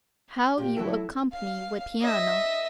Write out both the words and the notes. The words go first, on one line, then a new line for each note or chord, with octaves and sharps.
"How you accompany with piano?"
A#2 G4
F#3 A3 E4 F#4 A4
F5
D#5 E5